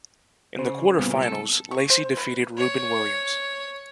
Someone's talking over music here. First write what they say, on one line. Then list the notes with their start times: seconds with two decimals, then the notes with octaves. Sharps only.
In the quarter-finals, Lacy defeated Rubin Williams.
0.59 C#3 C5
0.99 C2 A#2 C#3 G3 B3 C4
1.22 A4
1.71 C#6
1.90 C5
2.17 B4
2.57 C#5